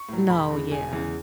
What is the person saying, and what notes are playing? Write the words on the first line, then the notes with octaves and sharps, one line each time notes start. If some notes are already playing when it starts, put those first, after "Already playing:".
No, yeah.
Already playing: C#6
A2 F#3
E1 B5
E2 C#3 G#3
E1 G#5
E2 C#3 G#3